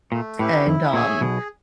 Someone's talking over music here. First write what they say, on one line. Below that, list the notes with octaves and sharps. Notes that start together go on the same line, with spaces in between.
and, um,
A#2 A3
A2 C#4 E4 G4 B4
F2 E4
A#2 G#4 C#5 E5 G#5
B1 B2 G#4